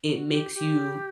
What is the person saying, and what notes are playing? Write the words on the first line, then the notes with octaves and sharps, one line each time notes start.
it makes you
F#4
F#4
G4
G4